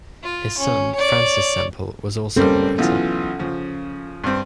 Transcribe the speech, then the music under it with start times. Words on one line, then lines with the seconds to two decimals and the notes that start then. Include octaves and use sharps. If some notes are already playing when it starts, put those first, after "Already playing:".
His son, Francis Sempill, was also a writer.
0.23 F4
0.58 C#4
0.95 C#5 D5
2.36 G3 A#3 C4 C#4 A4
2.78 B1 E3 F4
3.39 C#3 F3
4.24 G2 C4